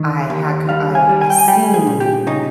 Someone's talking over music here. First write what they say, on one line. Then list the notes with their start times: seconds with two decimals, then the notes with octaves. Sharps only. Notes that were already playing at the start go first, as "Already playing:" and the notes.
I had co I I seen
Already playing: D#2 D#3
0.30 D#2
0.69 G3 F5
0.95 G#5
1.09 G3
1.22 G#5
1.30 G5
1.38 G#5
1.48 G3 G5
1.74 G#4
1.87 A#2
2.00 G4
2.27 C#3 D#4